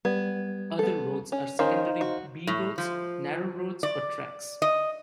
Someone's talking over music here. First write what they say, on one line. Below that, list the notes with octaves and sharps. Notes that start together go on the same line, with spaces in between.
Other roads are secondary B roads, narrow roads or tracks.
G3 B3 G#6
B3 A4
C#4
D#3 C#4 D#4 C5 F5
F#4
A2
F3
D5
D#5